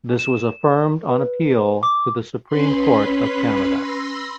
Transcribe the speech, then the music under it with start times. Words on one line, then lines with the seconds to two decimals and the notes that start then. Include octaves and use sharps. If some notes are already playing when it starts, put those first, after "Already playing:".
This was affirmed on appeal to the Supreme Court of Canada.
0.19 E7
1.09 B4
1.83 D6
2.48 C#4 B4 B5 C6
3.79 B5 C6 E6 A#6